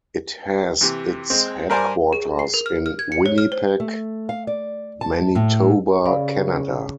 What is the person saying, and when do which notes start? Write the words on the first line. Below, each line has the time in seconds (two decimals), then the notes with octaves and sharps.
It has its headquarters in Winnipeg, Manitoba, Canada.
0.81 C3 E3
1.30 G#3 C4
1.70 G2 A#4 C5 D5 G#5
2.13 G#4
2.39 C7
2.54 A#4
2.66 F6
2.86 F6
2.99 G#6
3.12 C#7
3.26 C#5
3.38 F6
3.52 C5
3.80 A3
4.29 F5
4.47 D5
5.01 A5
5.35 A2
6.05 C#3 D5 F5 B5